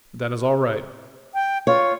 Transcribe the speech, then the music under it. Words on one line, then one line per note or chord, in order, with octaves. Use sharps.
"That is all right."
G5
F4 C#5